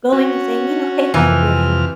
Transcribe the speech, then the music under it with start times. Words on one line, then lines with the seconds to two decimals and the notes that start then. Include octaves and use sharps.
going and saying, you know, "Hey, how you doing?"
0.12 C#4 F#4
1.14 F2 C3 E3 F6